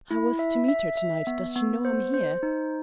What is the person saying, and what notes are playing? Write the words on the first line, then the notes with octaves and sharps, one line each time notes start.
"I was to meet her to-night; does she know I'm here?"
E4
E5
E5
E5
B3
B3
C5
C5
D#4